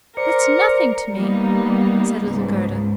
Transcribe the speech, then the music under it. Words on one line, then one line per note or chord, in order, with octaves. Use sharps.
"That's nothing to me," said little Gerda.
A#4 C5 D5 C#7
G3 A#3 B3 D#4
C#2 G#2